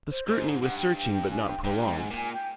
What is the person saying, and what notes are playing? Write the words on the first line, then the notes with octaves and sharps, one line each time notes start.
The scrutiny was searching but not prolonged.
C5
G#2 C5
G2 F#5
G5
G5
G5
G#5
G5
G2 G5
G5
G#2
G#5
A#2 G#5
G5